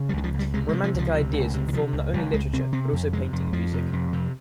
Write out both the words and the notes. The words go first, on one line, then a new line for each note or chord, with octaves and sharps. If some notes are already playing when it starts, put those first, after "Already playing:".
Romantic ideas informed not only literature but also painting and music.
Already playing: C#3
G3
C#2 D#3
F3
C#2
G3
C3 G#3
G#3
C3
F3
C#2 F3
C3
C#2
C3
D#3
C3 F3
C#2
C#2 G3
C#2 G#3
C3 C4
C3 C4
F2
C3 G#3
F2
F2 F3
C3
F2
C3